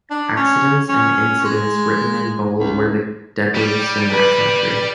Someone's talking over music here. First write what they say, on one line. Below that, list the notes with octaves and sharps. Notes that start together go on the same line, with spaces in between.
Accidents and incidents written in bold were the deadliest in that country.
D4
C#4
C#4
G#3
C#2
G3
B4